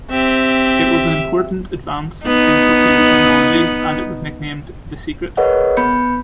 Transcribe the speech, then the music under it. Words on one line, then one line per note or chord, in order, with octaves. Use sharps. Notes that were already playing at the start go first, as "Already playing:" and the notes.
It was an important advance in torpedo technology, and it was nicknamed "The Secret".
C4 G4 E5
B3 D#4
G#4 A#4 B4 C#5 D#5 F#5
B3 B5 G6 C#7